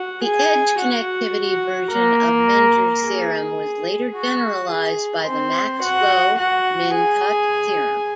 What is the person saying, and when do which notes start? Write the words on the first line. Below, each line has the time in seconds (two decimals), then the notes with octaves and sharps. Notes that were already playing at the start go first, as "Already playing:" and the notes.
The edge-connectivity version of Menger's theorem was later generalized by the max-flow min-cut theorem.
Already playing: F#4 F#5
0.23 G#4 G#5
0.79 F#4 F#5
1.92 A#3 A#4
3.04 G#4
4.16 F#4
4.71 G#4
5.27 C4 C5
5.83 F#4 F#5
6.39 F#4 F#5
6.95 G#4 G#5